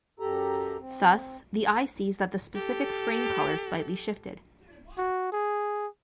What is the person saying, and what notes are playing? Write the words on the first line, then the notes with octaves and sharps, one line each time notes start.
Thus, the eye sees that specific frame color slightly shifted.
F#2 G4 A4 A#5
C4
G4 A4
F#4
G#4